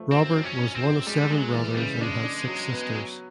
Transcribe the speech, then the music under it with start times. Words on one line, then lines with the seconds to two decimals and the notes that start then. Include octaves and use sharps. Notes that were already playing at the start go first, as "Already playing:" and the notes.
Robert was one of seven brothers and had six sisters.
Already playing: F3 A3
0.12 F#2 C4
0.36 F#2
0.44 C#4
0.59 F#2
0.75 C4
0.83 F#2
1.07 G3 G#3
1.30 F#3 G#3
1.53 E3 G3
1.77 C#3 G3
2.01 G#3 D4
2.24 D4
2.48 F#3
2.72 B3
2.95 F#3